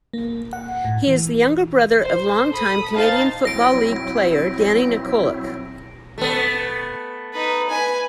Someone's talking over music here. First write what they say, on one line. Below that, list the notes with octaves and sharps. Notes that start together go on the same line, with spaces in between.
He is the younger brother of longtime Canadian Football League player Danny Nykoluk.
A#3
F#5
A2
E3
C5
A4 B5 D#6
D#4 C5 F5 A5 A6
F#3 C4 E4 A#6 D7
A3 B3
D#4 B4
B4 G#5